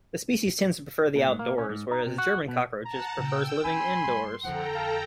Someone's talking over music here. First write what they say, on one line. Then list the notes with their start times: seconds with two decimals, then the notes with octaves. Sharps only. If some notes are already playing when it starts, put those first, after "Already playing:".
This species tends to prefer the outdoors, whereas the German cockroach prefers living indoors.
1.15 A#2
1.28 G#2
1.39 A#3
1.58 C#4
1.69 G#2
1.91 D#4
2.06 C3
2.18 F#4
2.48 B2
2.86 F#5 A5 A#5
3.18 A#2 C#3 G5 E6
3.65 C#4 D4 G#5 B5 C6
4.05 G2 G3
4.44 F2 D3 F3 A4 F#5 G5 A#5
4.75 F5 A5